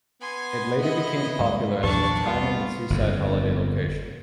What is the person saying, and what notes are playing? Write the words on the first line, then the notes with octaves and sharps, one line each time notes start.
It later became popular as a retirement and seaside holiday location.
B3 G#5 C6
E4 D#5
D2 G#2 G3
A#1 E2 F#3 D4 A5 C#6
G3 B3 F4
G1 F2